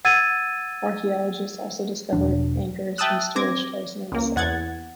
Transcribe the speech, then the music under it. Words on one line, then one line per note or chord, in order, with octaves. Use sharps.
Archaeologists also discovered anchors and storage jars near the site.
F#5 E6 G#6 A6 D#7
E1 F3 D4
E5 G5 A5 D#6 E6 F#6
C4 D6 G#6 A#6
C#2 A#3
E2 F#5 G#6 A6